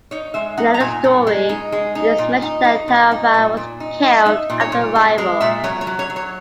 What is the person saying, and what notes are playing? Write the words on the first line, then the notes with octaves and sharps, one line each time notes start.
In another story, it is mentioned that Tarafa was killed after arrival.
D#4 C#5
G#3 E5
D#4 F#5
A#5
A#2 G#5
A#2
G#3
D#4
G#3
D#4
A#2
D#4
D#4
A#2
D#4
A#2
A#2
D#4
D#4
D#4 E5
A#2
C#5
A#2
G#3
G#3 A#4
A#2 E5
F#3 C#5
C#5
F#3
C#5
F#3
C#5